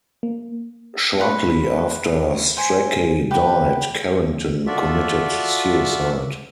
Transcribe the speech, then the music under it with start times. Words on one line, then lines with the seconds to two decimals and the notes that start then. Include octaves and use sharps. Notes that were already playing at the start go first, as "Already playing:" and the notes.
Shortly after Strachey died, Carrington committed suicide.
0.23 A#3
1.20 F4 B4 C#6
2.57 C5 G#5
3.31 G4 B4 F#5
4.66 F4 F#4 A4 D5 E5